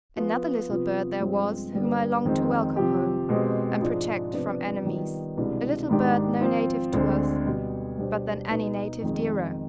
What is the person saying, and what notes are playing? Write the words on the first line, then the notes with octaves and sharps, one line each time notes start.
Another little bird there was, whom I longed to welcome home, and protect from enemies, a little bird no native to us, but than any native dearer.
F3 B3 F4
C3 F3 B3 F4 B4
G2 F3 G#3 C4
G2 D3 G3 B3
F2 D#3 G#3 C4
C3 F3 C4 G4
B2 G#3 C4 G4
G#2 F3 G#3 D4 F4
C3 F3 B3 D4
D#3 G3 B3 F4
C2 B2 G#3 D4
G#2 D#3 G#3 D4 G4
F3 C4 F4
D2 D3 G#3 C4
B2 G3 B3
B2 G3 D4 G4 C5
B2 B3 D#4 B4
F2 D#3 G#3